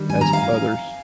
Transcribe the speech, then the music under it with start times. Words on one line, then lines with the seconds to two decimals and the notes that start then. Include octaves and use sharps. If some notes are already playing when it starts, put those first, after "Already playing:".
as others,
Already playing: D#3 G3 D4
0.10 G#5
0.21 A#5
0.33 F5 G#5